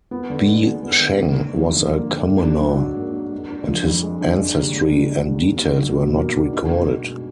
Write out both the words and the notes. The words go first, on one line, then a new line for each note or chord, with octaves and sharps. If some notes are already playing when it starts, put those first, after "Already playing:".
Bi Sheng was a commoner, and his ancestry and details were not recorded.
B3
D3
G#3
D3
B3
D3
A#3
D3
F3
D3
A#3
D3
A#3
D4
F#3
G#2
A#3
D4
G#3
D4
F3
F2
G#3
D4
G#3
D#2
D3
D#2
G#3
D#2
A#3
D4
F#3
B2
A#3
D4
D#4
B2
G#3
B2